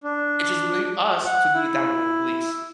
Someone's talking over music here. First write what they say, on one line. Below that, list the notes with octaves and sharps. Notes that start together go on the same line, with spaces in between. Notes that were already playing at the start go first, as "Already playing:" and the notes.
It's just really us to be that world police.
D4
F#5
E4